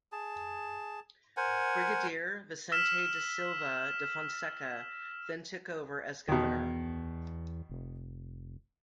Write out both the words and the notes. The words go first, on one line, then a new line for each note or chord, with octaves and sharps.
Brigadier Vicente da Silva da Fonseca then took over as governor.
G#4 A5
A#4 C5 F#5 G#5
E6 F6 B6 E7
E2 B2 D#3
F1